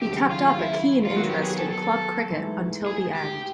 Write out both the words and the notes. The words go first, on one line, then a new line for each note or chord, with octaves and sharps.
He kept up a keen interest in club cricket until the end.
D#2 C#3 F#3 A3 G4
F4
F4
E4
F4
D#3 F#3 B3 F#4
G4
G#4
A4
A4
G#2 E3 A3
G#4
G4